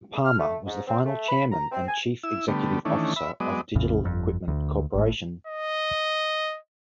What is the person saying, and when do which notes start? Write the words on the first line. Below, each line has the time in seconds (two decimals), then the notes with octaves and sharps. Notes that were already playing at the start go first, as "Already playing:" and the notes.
Palmer was the final Chairman and Chief Executive Officer of Digital Equipment Corporation.
0.24 F6
0.39 A3
0.66 G#2
0.87 C4
1.05 A3
1.28 B5
1.51 A#5
1.72 C4
1.88 G#5
2.23 E4 E6
2.48 D3 G3 A3 B3
2.85 D#3 E3 A3 C#4 D4
3.16 E5 B5
3.40 F#3 G#3 B3 D5 D#5
3.75 A#1 F2 A2 C#3
4.03 G1 F2
4.48 D2
4.94 G#1 A2
5.47 D#5